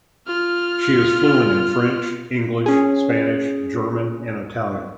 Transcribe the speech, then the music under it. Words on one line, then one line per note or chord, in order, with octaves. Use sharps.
She is fluent in French, English, Spanish, German and Italian.
F4 F6
C#4 G#4